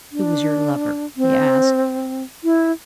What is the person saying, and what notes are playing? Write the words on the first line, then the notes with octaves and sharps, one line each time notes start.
"Who was your lover?" he asked.
D4
C4
E4